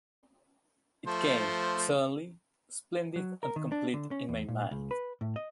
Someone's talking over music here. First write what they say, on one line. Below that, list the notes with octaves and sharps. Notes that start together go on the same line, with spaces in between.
It came suddenly, splendid and complete in my mind.
F3 A3 C5
F#3
A#4
D#3
D4
D3
C#4
E2
A#2
C#2
B4
A2
D#5